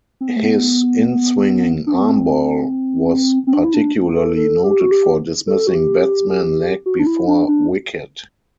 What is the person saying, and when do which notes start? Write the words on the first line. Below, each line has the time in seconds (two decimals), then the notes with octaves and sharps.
His inswinging arm ball was particularly noted for dismissing batsmen leg before wicket.
0.21 C4
0.28 B3
0.36 A3
0.44 B3
1.87 D4
1.94 C4
2.02 B3
2.09 C4
3.47 C4
3.53 D4
3.64 E4
3.74 D4
4.16 A4
4.36 A4
4.64 G4
4.80 F#4
4.91 G4
5.47 A4
5.67 F#4
5.75 G4
6.86 F#4
6.99 D4
7.07 E4
7.27 D4
7.48 D4